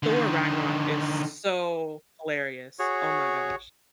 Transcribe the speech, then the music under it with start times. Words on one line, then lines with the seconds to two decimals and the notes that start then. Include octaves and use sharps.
Thor: Ragnarok is so hilarious. Oh my gosh.
0.03 D3 D#3
2.79 F#4 G#4 C#5